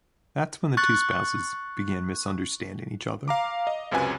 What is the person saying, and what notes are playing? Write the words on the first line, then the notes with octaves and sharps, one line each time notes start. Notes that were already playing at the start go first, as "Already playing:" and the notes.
That’s when the two spouses began misunderstanding each other.
C#6 F#6 A6
F5 A#5 D6
D#5
C#2 F#2 C3 F4 B4 G#5